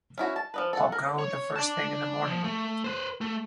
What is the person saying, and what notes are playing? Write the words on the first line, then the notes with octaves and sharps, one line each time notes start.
I'll go the first thing in the morning.
C#4 E4 F#4
A5
F3 D#4 B4
A4 F#5
A#4
C#5
D5 A5
F3
A3
B4 C5
A3